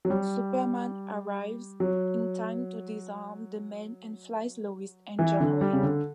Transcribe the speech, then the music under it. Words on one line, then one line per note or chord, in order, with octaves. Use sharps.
Superman arrives in time to disarm the men and flies Lois and Jon away.
F#3
G3
F#3
E3
D3
G3
C#3
D3